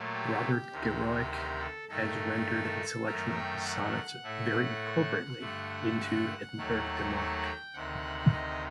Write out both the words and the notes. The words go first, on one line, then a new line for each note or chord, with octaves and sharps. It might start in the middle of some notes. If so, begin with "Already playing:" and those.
Robert Garioch has rendered a selection of his sonnets, very appropriately, into Edinburgh demotic.
Already playing: A#2 F#3 A3
G4
D2 C3 D#3
G4
A4
G2 D#3 A3 A4
F#2 D#3 A3 A#4
G5
F#5
A2 A3
G2 D3 A3
F#5
D#2 D#3 F#3 A3
F#5
G5
D2 C3 D#3 F#5
D#5